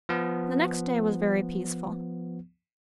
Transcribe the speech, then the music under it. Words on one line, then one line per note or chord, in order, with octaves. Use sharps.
The next day was very peaceful.
F3 B3